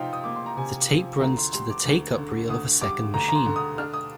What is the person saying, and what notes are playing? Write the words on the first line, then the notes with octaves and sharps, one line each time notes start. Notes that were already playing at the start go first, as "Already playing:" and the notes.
The tape runs to the take-up reel of a second machine.
Already playing: C3 F3 D#4 C5 F5 G5
D#6
A#3 D6
C6
A#5
C3 G#5
F3
D2 A#5
C6
G3 C6
D6
D2
D3
D2 D#6
G3 D6
D2 A#5
A#5
C6
D3
D#6
D4 F6
D#6